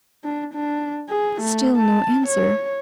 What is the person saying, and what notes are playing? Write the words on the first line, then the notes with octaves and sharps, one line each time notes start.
Still no answer.
D4
D4
G#4
A3
A5
C#5